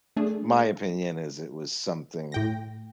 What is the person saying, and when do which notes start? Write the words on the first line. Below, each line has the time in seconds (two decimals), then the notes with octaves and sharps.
My opinion is it was something
0.16 A3 D4 G#4
2.32 A2 G5 A#6